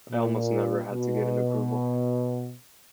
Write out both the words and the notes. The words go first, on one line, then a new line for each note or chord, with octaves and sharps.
I almost never had to get an approval.
A#2
B2